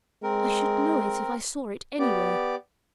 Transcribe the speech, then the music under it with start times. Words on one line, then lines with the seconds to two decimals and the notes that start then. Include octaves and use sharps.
I should know it if I saw it anywhere.
0.23 G#3 C4 A#4
1.99 B3 G4 D5